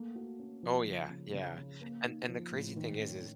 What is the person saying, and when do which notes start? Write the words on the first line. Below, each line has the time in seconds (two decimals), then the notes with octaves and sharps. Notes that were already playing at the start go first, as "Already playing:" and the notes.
Oh yeah, yeah. And and the crazy thing is is,
Already playing: A3 A#3
0.15 F#4
0.39 C#4
0.63 F3
0.87 C#3
1.10 C#3
1.33 C#3
1.58 C#3
1.81 A#3
2.05 D#4
2.29 F3
2.51 A2
2.76 D#3
2.99 C#4